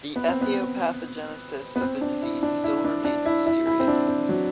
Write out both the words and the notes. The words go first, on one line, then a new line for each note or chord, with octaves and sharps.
The ethiopathogenesis of the disease still remains mysterious.
B3
C4
B3
B3
C4
D4
E4
D4
E4
D4
D4
E4
E4
E4
C4
D4
C4
F#3